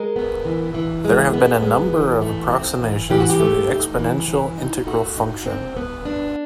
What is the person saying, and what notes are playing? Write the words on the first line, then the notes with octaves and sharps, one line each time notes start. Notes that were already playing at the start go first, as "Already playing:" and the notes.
There have been a number of approximations for the exponential integral function.
Already playing: G#3 A#4
B3
E3
E3
G#3
B3
G#3
E3
A3
C4
E3
E3 G4
F#4
G4
A3
D#4
E3
E3
D#4
A3 F#4
D#4
C4
B3
D4